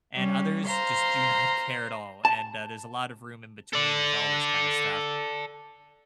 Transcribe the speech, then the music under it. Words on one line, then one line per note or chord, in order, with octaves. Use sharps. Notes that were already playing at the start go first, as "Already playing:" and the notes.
And others just do not care at all, and, uh, there's a lot of room in between, with all this kind of stuff.
G3 C#4
C5 F5 A#5 C6
A5
A4 D5